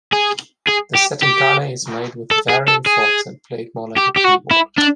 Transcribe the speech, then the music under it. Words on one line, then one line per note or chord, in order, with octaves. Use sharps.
The setinkane is made with varying forks, and played more like a keyboard.
G#4
G#4
G4
G4
A4
G#4
A4
G#4
G4
G4
F#4
E4
D4